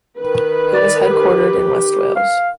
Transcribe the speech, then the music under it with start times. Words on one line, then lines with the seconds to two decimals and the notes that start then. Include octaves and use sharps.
It is headquartered in west Wales.
0.19 D#3 B4
0.74 D5
1.10 G4
2.16 F5